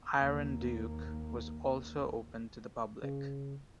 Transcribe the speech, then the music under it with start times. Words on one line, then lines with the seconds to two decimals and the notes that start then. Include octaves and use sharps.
"Iron Duke" was also open to the public.
0.17 D#2 A#3
3.03 C#3